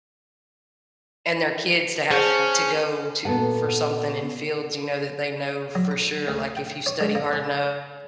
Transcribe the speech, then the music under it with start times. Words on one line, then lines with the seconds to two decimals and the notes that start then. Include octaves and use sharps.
and their kids to have to go to for something in fields, you know, that they know for sure, like, if you study hard enough,
2.11 C#4 G#4 C5 A5
3.25 A#2 B3 F#4 A4 F#5
5.75 F#3
5.91 A#5
6.28 D2
6.57 G5
6.86 C#5
7.01 G#3
7.15 A#3
7.33 C#4